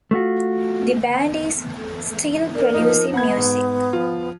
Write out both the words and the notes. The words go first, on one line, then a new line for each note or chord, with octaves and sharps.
The band is still producing music.
A3 F4 F#4
D4 A#4
F3 D#4
B3 F#5 B5 G#6
G#2
F3 F4